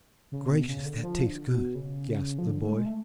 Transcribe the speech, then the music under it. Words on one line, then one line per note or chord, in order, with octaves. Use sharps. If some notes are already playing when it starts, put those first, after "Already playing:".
"Gracious, that tastes good!" gasped the boy.
C#3
B2
C#3
D3
F3
D3
B2
C#3
F3
D3
A3
G#3
A3